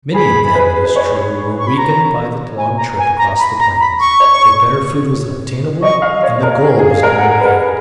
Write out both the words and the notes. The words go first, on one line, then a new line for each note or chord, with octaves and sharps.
Many of them, it is true, were weakened by the long trip across the Plains; but better food was obtainable, and the goal was near at hand.
G#4 B5
B4
B4
C#5
C#6
B5
A#5
G#5
A#5
G#5
A#5
B5
A#5
B5
C#6
C#5
D#5 C#6
F5
C#5
A#4
G#4
G#4
F5
A#4
F#5
B4
A#4 F#5